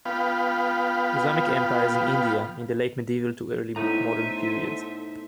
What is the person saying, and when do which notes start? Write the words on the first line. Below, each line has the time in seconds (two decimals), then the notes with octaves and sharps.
Islamic empires in India in the late Medieval to Early Modern period.
0.05 B3 F4 F5 G5 B5
3.76 A2 B3 D#4 A4 C5 E5 A#5 D#7